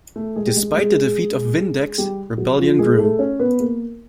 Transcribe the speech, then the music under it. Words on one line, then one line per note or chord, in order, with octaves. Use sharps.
Despite the defeat of Vindex, rebellion grew.
A3 A4
G#3 G#4
G4
G#3 G#4
G#3 G#4
G3 G4
F#3 F#4
F3 F4
G#3 G#4
A3 A4
C#4 C#5
B3 B4
A#3 A#4